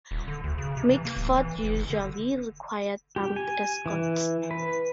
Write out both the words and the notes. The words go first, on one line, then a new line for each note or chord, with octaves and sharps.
Mitford usually required armed escorts.
D#1
D3
D2
C#3
C3
E3
A#3
D1
E3
F1
F#1
D3
G4
G#5
E3
B4